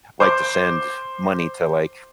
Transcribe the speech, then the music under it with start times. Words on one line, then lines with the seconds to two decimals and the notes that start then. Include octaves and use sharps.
liked to send money to, like,
0.20 C5 C6 D6 G6